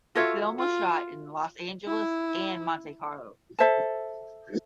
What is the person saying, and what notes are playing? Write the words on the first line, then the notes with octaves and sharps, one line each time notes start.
The film was shot in Los Angeles and Monte Carlo.
F4 F#4 A4 C#5 E5
F4
E4
A4 C5 E5 A5